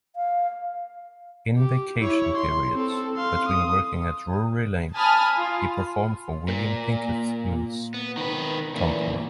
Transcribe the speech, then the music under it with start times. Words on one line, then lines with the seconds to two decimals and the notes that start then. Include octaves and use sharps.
In "vacation periods" between working at Drury Lane, he performed for William Pinkethman's company.
0.16 F5
1.57 G4
1.98 E4 C#5
2.37 C6
2.74 C4 A4
3.17 F5 C6
3.49 D#6
4.94 G#5 A5 B5 D#6 F6
5.36 F4
6.48 A#2
7.94 B3
8.17 D#3 B4
8.76 A#2 E3